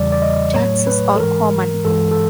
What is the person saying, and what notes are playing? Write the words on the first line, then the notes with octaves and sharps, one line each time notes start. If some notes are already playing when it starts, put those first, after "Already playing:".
Taxis are common.
Already playing: E2 C#3 E3 G3 D5
D5
D#5
A2 F#3 A3 C#5
B4
A4
G#2 E3 G#3 A#4
G2 E3 G#3 A4
A4